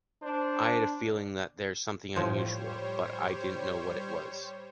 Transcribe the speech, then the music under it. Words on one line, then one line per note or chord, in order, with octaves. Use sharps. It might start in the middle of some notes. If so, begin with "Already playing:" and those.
I had a feeling that there’s something unusual, but I didn’t know what it was.
D4 C5
A2 F3 G3 C5 C#5